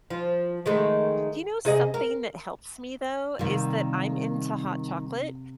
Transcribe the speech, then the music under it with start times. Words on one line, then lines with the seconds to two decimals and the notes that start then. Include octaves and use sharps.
Do you know something that helps me, though, is that I'm into hot chocolate,
0.10 F3
0.66 D#3 G#3 A3
1.65 C3 G#4 D#5
1.94 A#4
3.39 C3 D#3 G3 A#3